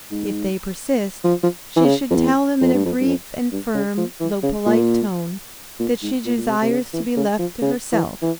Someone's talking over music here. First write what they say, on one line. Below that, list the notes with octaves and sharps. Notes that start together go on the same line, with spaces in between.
If they persist, she should tell them in a brief and firm, though polite tone, that she desires to be left to herself.
G#2
F3
F3
E3
C#3
F2
E2
F2
G2
F2
G2
F2
G2
C#3
F3
E3
C#3
A#2
A#2
G#2
A#2
A#2
C3
C3
C#3
E3
C#3
F3
C#3
E3
E3